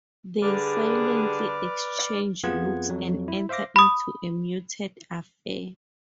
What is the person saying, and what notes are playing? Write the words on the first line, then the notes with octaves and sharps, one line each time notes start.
They silently exchange looks and enter into a muted affair.
D3 G3 G#4 B4 D5 D6 F6
F2 B3 F4 G#4 F#5 G#6
F2 F#3
E4
C5 E5 F5 D6 A#6
B5 D#6